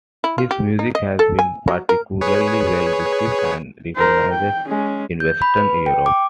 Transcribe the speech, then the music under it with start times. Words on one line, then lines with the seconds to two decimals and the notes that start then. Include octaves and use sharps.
His music has been particularly well received and recognised in Western Europe.
0.24 E4
0.38 F4
0.51 G4
0.79 D#4
0.95 D#5
1.19 A4
1.39 G#5
1.68 F#3
1.89 A#4
2.21 G#4 B4 C#5
3.96 A#4 C5
4.31 G5
4.67 G#3 C#4
5.20 G6
5.42 B5
5.57 B4
5.86 G5
6.06 D6